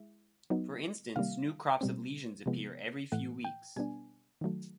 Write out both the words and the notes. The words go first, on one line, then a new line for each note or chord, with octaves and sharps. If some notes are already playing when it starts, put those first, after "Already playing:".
For instance, new crops of lesions appear every few weeks.
Already playing: G#3 E4
F#3 B3 D#4
C3 D#3 G3 A#3 F5
B2 G3 C4
C3 F3 G#3 B3
A2 E3 A3 F#5
G5
B2 G3 B3 D4 G#5
D#3 F#3 A3